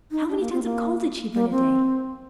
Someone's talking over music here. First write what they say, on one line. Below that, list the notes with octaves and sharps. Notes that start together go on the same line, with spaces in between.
How many tons of coal did she burn a day?
D#4
D4
A#3
C4
A#3
A#3
C4